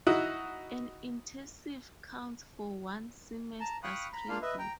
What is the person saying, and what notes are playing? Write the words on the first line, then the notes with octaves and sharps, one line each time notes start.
An intensive counts for one semester's credit.
D#4 E4 F#4
A5 A#5
F5 G5 B5 C#6 D#6 F#6
A#5 B5
A#3 D4 F4 F5
B4 D#5 E5
G5 A#5